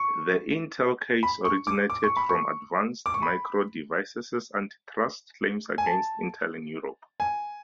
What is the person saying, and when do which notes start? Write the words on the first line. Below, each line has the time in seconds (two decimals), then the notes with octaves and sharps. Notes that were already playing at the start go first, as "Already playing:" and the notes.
The "Intel" case originated from Advanced Micro Devices's antitrust claims against Intel in Europe.
Already playing: C#6
1.23 B5
1.45 C#6
1.67 D6
1.90 D6
2.04 C#6
2.17 B5
2.29 C#6
3.06 D6
3.14 C#6
3.22 B5
5.78 G#5
5.86 A5
7.20 G#5